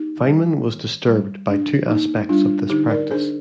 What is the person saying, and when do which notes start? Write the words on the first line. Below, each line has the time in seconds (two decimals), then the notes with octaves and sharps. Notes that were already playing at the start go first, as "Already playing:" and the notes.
Feynman was disturbed by two aspects of this practice.
Already playing: A#3 D#4 G4
0.26 G3
0.66 D#3
1.07 G3
1.48 D4
1.88 A#3 D#4
2.29 G3 D4 F4
2.69 D3 D#4 G4
2.90 A#4 D5
3.11 D4 G#4 C5